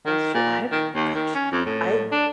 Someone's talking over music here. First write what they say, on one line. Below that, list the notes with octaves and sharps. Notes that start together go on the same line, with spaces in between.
That's true. I have gosh, I
D#3
A#2
D#3
D#2
D#3
C#4
F2
A2
D4